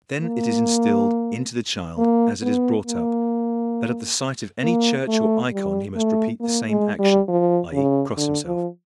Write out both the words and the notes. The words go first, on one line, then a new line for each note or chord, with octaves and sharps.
Then it is instilled into the child as it is brought up that at the sight of any church or ikon he must repeat the same action--i. e., cross himself.
A#3
A#3
B3
A#3
A#3
A3
G3
A3
A#3
G#3
G3
F3
C#3
D3
F3